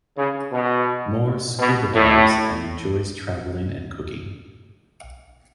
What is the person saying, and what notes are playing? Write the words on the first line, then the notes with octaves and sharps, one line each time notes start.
Mohr scuba dives and enjoys traveling and cooking.
C#3
B2
B2
A2